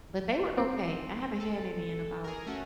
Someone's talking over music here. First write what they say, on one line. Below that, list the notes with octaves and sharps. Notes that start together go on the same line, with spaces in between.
But they were okay, I haven't had any in about,
C4
A4
G#4 A#4
A3 C#4 F#4